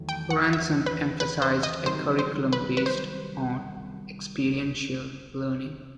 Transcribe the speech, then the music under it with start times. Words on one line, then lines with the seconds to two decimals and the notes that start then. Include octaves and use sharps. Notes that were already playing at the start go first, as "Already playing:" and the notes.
Ransom emphasized a curriculum based on experiential learning.
Already playing: E2 D#3 F#3 A3 E4
0.09 G5
0.30 F#5
0.53 E5
0.86 B4
1.20 B4
1.42 C5
1.63 D#5
1.86 C2 C3 D#3 F#3 C5
2.19 C5
2.53 B4
2.77 B4
2.86 C5